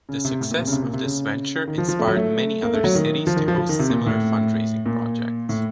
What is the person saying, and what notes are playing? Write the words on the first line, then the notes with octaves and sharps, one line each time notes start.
The success of this venture inspired many other cities to host similar fundraising projects.
C#3
C3
A2
A#2
C3
C#3
C3
A#2
C3
C#3
D#3
F3
F3
A3
F#3
A3
A#3
A3
F#3
D#3
F3
D#3
F3
F3
D#3
C3
A#2
A2
A#2
A2